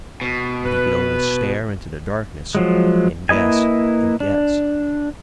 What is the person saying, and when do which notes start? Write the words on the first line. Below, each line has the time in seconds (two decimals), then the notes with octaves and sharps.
But he could only stare into the darkness and guess and guess.
0.22 B2
0.66 B4
2.55 F3 F#3 G#3
3.29 A#3 E4 B4 D#5 G#5
4.20 D4